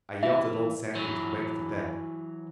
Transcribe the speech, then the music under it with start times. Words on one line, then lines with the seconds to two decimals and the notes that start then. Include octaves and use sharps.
I yelled at Old Sandy to wake the dead.
0.23 E3 E5
0.95 E3 F#3